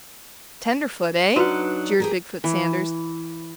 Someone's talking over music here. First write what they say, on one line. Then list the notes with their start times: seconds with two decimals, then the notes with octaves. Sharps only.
"Tenderfoot, eh?" jeered Big-foot Sanders.
1.36 F#3 D4 D#4 F#4 B4 F#5
2.00 G4 G#4 A#4
2.44 E3